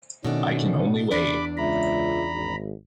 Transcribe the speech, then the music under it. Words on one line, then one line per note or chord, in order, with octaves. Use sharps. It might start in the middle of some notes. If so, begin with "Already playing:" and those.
I can only wait.
B2 D#3 A3 C#4 D4
E2 D4 D5 B5 D6
C#2 F4 E5 A#5 B5
G#1